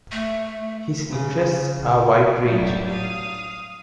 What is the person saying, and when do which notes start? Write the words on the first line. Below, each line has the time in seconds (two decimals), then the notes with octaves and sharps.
His interests are wide-ranging.
0.12 A3
1.10 C#3
2.42 A2 F#3 G3 D4 E4
2.89 F5 D#6